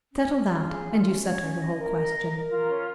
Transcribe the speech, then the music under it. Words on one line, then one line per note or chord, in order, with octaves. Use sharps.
Settle that, and you settle the whole question.
C#4
C#5
F4
G#4
F4
C#4
C#5
C#4
D#5
A#4
D#5
A#4
A#4
F4
C#4